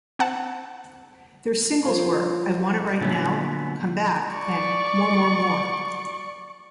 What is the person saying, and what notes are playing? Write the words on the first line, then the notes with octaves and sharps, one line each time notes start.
Their singles were "I Want It Right Now", "Come Back" and "More More More".
C4 F#5 A5
F3 C5 C#5 F5
A#2 D3 F#3 A3 B3 C#4
D5 C#6